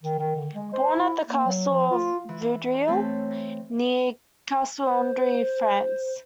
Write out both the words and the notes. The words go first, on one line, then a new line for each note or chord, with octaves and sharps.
Born at the Castle of Vaudreuil, near Castelnaudary, France.
D#3
D#3
D3
G#3
C5
E4
A#3
F#3
F3
F4
E3
A3 C4 C#4 A4
C5